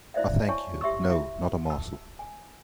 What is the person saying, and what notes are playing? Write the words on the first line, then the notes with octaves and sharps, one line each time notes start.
I thank you, no, not a morsel.
E4 F#4 C5 D5 E5 F5
E4 C#5 G#5 A5 C#6
G4 E5 C6 C#6 E6
E4 F#4 E5
A5 E6
G#5